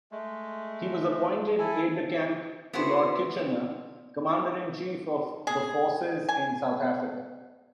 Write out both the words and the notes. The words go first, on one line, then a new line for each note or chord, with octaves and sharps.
He was appointed Aide-de-camp to Lord Kitchener, Commander-in-Chief of the Forces in South Africa.
G#3 A3
E4 A4 G#5
B3 E4 F#4 G#4 C5
G#4
G#5